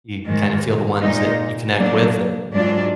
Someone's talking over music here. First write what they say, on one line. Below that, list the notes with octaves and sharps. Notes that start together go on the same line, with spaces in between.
you kinda feel the ones that you connect with that or you
G#2 D#3 G#3
A#2 G#3 D#4
F#3 A#3 D4
G#2 F#3 D4 F4